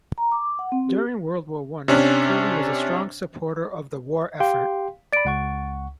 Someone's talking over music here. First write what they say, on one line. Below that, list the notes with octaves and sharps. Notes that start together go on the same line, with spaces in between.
During World War One, Curley was a strong supporter of the war effort.
A#5
D6
F#5
C4
G4
C3 C#4 D4
G4 F5 G5 C6
D5 B5 A6 D7
C#2 F#5 C#6